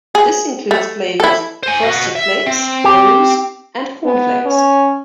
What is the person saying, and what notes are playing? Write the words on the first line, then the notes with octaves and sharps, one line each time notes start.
This includes flavors Frosted Flakes, O's, and Corn Flakes.
G#4
A3
E4 A4
C5 G#5
F#4 D#5
E5
C4
G4
B3
C#4